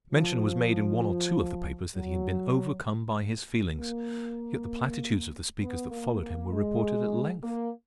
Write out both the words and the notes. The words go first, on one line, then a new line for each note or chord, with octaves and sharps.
Mention was made in one or two of the papers that he had been overcome by his feelings. Yet the platitudes of the speakers that followed him were reported at length.
F3
F#3
A#3
B3
A#3
A#3
G#3
A#3